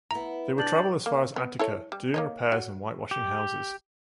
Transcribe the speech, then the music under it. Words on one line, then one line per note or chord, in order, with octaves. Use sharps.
They would travel as far as Attica doing repairs and white-washing houses.
B3 E4 A#5
D4 G4 G6 A6 F#7
A#3
B3
E4 A4 C#5
G3
A#3 C#5 D#5
F#4
G4